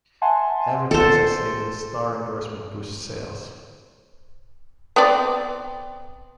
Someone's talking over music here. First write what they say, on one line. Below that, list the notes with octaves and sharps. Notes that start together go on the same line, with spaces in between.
Advertisers say that a star endorsement boosts sales.
E5 F#5 G#5 A5 C6
A4 C5
B3 C4 D5